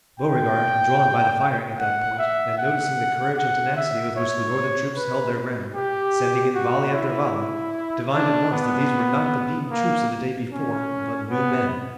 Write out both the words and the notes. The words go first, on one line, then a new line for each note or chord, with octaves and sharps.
Beauregard, drawn by the firing at that point, and noticing the courage and tenacity with which the Northern troops held their ground, sending in volley after volley, divined at once that these were not the beaten troops of the day before, but new men.
G5
F#5
E5
F#5
F#5
E5
C#5
B4
G4
F#4
E4
D4
B3
A#3
C#4
B3